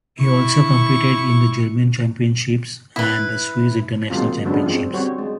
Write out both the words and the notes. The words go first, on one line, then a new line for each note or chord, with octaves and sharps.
He also competed in the German Championships and the Swiss International Championships.
E4 C#6
E4 B4
D#3 F#3 G#3 A#3 C4 F4
D3 F#3 G#3 B3 C#4 D4
F3 G#3 C4
G3 C4 F#4 C#5
G#3